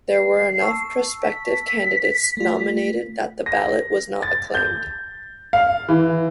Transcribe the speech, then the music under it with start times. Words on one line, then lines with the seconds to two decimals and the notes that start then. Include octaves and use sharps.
There were enough prospective candidates nominated that the ballot was not acclaimed.
0.12 C7
0.61 A5 C#6 E6
1.24 B6
2.37 A3 F4
3.46 A#6
4.23 A6
4.55 G6
5.53 F5
5.88 E3